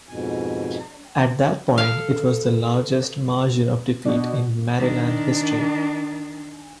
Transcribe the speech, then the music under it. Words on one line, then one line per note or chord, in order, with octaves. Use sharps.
At that point, it was the largest margin of defeat in Maryland history.
F2 G#2 B2 G#5
A4 F5
B2 D4
D#3 D4